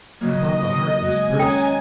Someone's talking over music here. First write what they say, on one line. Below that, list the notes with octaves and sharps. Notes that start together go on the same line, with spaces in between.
I thought the heart must burst.
C#3 F#3 A#3 D#5
G#3 F#4 G#5
D#2 C#4 A4 G5 A#5